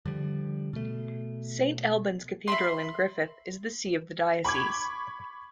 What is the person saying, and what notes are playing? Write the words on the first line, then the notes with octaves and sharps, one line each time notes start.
Saint Albans Cathedral in Griffith is the see of the diocese.
D3 F3 G3
B2 A3
E5 B5 C6
B5 C#6 D6 G#6